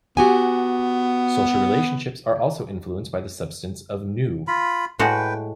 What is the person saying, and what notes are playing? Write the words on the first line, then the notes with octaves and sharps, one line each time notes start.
Social relationships are also influenced by the substance of Nu.
B3 F#4 G4 G#5
F4 B5
A2 G#3 F#4 B4 G5